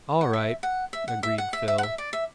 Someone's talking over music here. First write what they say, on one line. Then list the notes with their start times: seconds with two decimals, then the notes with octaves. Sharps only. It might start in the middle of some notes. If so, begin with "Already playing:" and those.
"All right," agreed Phil.
0.21 F#5
0.33 E5
0.63 F#5
0.93 E5
1.08 F#5
1.23 E5
1.38 F#5
1.53 E5
1.68 E5
1.78 F#5
1.83 E5
1.98 D5
2.13 E5